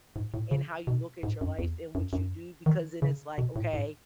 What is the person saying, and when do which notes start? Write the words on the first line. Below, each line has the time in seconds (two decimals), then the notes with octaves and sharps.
in how you look at your life and what you do, because then it's like, okay,
0.16 G#2
0.34 A2
0.51 C#3
0.87 B2
1.23 G#2
1.41 F#2
1.59 E2
1.95 F#2
2.13 F#2
2.66 D#3
3.02 C#3
3.38 B2
3.56 A2
3.73 G#2